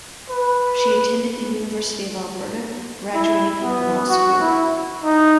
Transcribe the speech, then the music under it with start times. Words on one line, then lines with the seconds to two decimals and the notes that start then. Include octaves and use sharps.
She attended the University of Alberta, graduating from their law school.
0.29 B4
3.15 E4
3.62 B3
4.09 F#4
4.41 E4
5.04 D#4